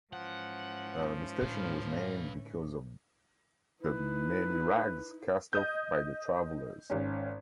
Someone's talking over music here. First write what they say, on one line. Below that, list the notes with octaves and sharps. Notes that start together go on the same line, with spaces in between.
The station was named because of the many rags cast off by the travelers.
G#2 E3 F3 C#4 F#5
A2 D3 B4 F5
D#4 E4 B4
D#5 D#6 G6
G#1 C#4